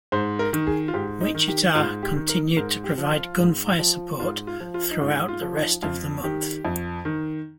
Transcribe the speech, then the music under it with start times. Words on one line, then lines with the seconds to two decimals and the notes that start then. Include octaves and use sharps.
"Wichita" continued to provide gunfire support throughout the rest of the month.
0.12 G#2 C5
0.39 A#4
0.53 D#3
0.67 G#4
0.88 F4
0.93 G#2 G4
1.21 D#4
1.35 D#3
1.48 G4
1.75 G#2 F4
2.03 G4
2.16 D#3
2.29 A#4
2.57 G#2 A#4
2.84 G4
2.98 F3
3.11 F4
3.38 G#2
3.79 F3
4.20 G#2 F4
4.47 F4
4.60 F3
4.74 F4
4.91 D#4
5.01 G#2 F4
5.28 F4
5.42 F3
5.55 D#4
5.82 F2 F4
6.24 D#3 G4
6.65 F2
7.05 D#3